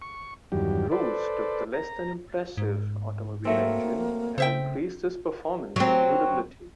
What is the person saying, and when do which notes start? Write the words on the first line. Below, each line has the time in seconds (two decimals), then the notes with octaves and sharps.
Roos took the "less than impressive" automobile engine and increased its performance and durability.
0.02 C#6
0.52 E2 G2 D#3 F#3 G4
0.92 A4 B4 C5 D5
1.74 A#5
2.58 G#2
3.45 F#3 A3 A#3 C4
4.38 C#3 C5 E5 G5
5.76 F#3 C4